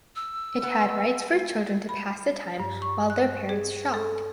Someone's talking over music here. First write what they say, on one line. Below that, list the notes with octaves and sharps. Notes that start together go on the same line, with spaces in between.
It had rides for children to pass the time while their parents shopped.
E6
B3
B5
G2
C#6
F#6
G#4
A4